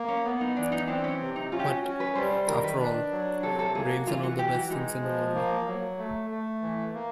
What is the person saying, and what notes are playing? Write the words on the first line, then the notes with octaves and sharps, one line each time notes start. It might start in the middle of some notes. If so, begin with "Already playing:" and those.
But, after all, brains are not the best things in the world.
Already playing: A#3
C#4
B3
D#4
E3 D4
D#4
C4 D4
C#4
C3
D#4
C#4 F4
G4
F#4
C#4 F#4
B4
G3 C5
C5
D#3 A#4
B4
D4
F#3
C3 A4
A4
A#3 G#4
F#4
E3 F4
F#4
E3 G4
F#4
G#3 D#4
F3
A#3
F#3
A3
A3
E3
A#3